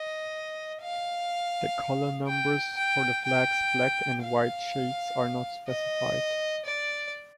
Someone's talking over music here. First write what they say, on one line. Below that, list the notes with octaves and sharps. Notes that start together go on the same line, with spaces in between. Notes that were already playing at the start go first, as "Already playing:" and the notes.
The colour numbers for the flag's black and white shades are not specified.
Already playing: D#5
F5
G5
G5
G5
F5
D#5
D5